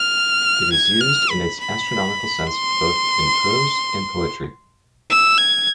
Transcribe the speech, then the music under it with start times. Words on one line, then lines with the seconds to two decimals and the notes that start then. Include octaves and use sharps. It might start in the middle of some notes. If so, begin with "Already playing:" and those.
It is used in its astronomical sense both in prose and poetry.
Already playing: F6
0.72 G#6
1.00 F6
1.30 B5
1.60 B5
2.47 C6
5.10 E6
5.38 G#6